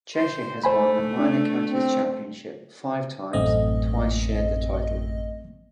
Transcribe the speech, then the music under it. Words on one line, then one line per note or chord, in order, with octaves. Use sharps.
Cheshire has won the Minor Counties Championship five times, and twice shared the title.
C5
A3 C5 G#5 B5
D4
C4
A1 F#2 A3 C4 D#5